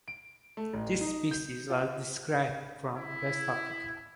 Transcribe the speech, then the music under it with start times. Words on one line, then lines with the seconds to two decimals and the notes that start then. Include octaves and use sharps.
This species was described from West Africa.
0.08 D7
0.57 A3
0.74 A1
1.01 D#4
1.31 G6
1.70 F4
2.96 E4